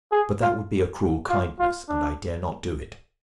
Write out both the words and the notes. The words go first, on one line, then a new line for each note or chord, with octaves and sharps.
But that would be a cruel kindness, and I dare not do it.
G#4
F4
F4
F4
D4